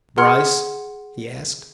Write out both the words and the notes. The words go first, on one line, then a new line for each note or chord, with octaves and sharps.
"Bryce?" he asked.
G#4 F#5 C6 F6 G#6 C#7